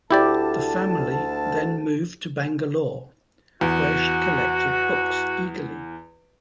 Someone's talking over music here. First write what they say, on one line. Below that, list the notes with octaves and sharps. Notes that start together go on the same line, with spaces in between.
The family then moved to Bangalore where she collected books eagerly.
D2 E4 G4 D5 A5
E2 F#4